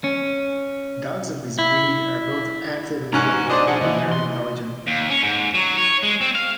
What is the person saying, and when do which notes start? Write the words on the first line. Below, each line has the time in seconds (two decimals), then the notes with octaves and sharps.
Dogs of this breed are both active and playful, and very intelligent.
0.04 C#4
1.59 E4
3.13 G#2 C#4 G#5 A#5 F#6
3.50 D4 C5 D5 D#5
3.68 D4 G#4 F#5
3.81 C#2 E3 D#4
4.12 C6
4.87 D#2
5.10 C#4
5.23 G#2
5.55 F#3
5.77 C#5
6.03 G#3
6.21 C4
6.35 F5